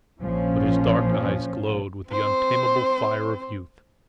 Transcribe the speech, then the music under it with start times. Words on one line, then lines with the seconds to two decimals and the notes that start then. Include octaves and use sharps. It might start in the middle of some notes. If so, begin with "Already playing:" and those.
But his dark eyes glowed with the untamable fire of youth.
0.21 A#1 F3 C#4
2.08 C4 C5